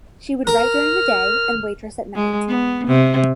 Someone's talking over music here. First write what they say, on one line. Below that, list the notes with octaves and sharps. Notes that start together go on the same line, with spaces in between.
She would write during the day and waitress at night.
A#4 F6
G#3
B3
C3